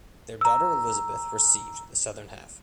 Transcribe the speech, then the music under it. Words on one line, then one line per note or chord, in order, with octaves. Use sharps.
Their daughter Elizabeth received the southern half.
A#5 E6